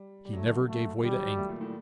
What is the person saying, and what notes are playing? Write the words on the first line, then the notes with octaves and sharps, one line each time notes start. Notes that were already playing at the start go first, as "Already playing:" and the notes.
He never gave way to anger.
Already playing: G3
G3
F#3 A3
D3
D3
A3
D#3 G3
F#3
A3
A#2
A2